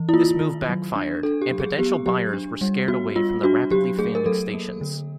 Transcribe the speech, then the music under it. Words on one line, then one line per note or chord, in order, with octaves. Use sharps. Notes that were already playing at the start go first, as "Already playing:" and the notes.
This move backfired, and potential buyers were scared away from the rapidly failing stations.
Already playing: E3
E4
A#3 F4
D#3
F#3
D4
D4 A4
G4
F#3
G#4
B3 G4
F#3 G4
D4
G3
B3 F#4
G3 F4
D4 F#4
F#3 G4
A3 G#4
A#4
F#3 A4
A#3
D3